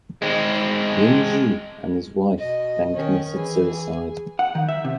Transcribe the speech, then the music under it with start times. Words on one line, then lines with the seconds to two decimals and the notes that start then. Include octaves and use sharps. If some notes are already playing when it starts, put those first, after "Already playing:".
Yin Jiu and his wife then committed suicide.
0.22 G#3 C4
2.39 B2 D#5
2.95 D#3 C#4
3.35 E3 G#4
4.39 F#5
4.55 D#3
4.69 E5
4.85 C3